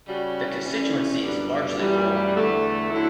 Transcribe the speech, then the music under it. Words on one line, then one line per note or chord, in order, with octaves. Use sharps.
The constituency is largely rural.
C#3 G3 C#4 F#4
E3 G3 C#4 E4
F#2 D3 G3 B3 D4
F#2 E3 G3 B3
E2 D3 A3
D3 F#3 A3 E4